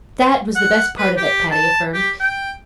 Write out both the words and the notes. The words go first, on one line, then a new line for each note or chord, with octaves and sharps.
"That was the best part of it!" Patty affirmed.
F#5
B4
G4
A5
G4
G5